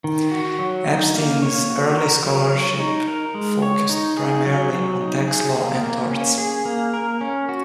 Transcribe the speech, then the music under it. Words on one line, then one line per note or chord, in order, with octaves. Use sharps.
Epstein's early scholarship focused primarily on tax law and torts.
D#3
F#4
F#3
D#4
A#3
C#5
F#4
A#4
F#3
C#5
D#4
A#4
G#3
C#5
D#4
G#4
F#3
F#3
D#4
G#4
A#3
A#3
C#4
G#4
A#3
A#4
C#4
F#4